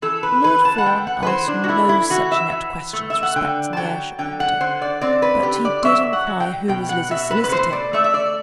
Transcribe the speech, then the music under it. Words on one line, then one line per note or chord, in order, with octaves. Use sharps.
Lord Fawn asked no such inept questions respecting the Ayrshire property, but he did inquire who was Lizzie's solicitor.
E3 A4
B4
E3 B4
A5
F#5
A3 G5
F#5
B4
E3 C5
D4
F#4
A3 E4
E4
E3 F#4
E5
E3
A3
E5
F#5
D3 G5
A5
F#3 G5
D3 G5
F#5
D3 C5
D5
C4 D5
B4
D3 G4
D5
F#3 E5
F#5
F#3
G5
B2 G5
F#5
B2 E5
B4
B4
A3 C5
D5
A3 E5
E5
D5